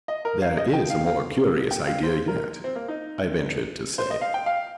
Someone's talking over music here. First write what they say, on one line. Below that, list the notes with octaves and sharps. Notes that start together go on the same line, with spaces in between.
"There is a more curious idea yet," I ventured to say.
D#5
A#4
F5
D#5
G5
F5
F5
G5
F5
C5
A#4
C4
A#3
D#4
C5
D#5
F5
G5
F5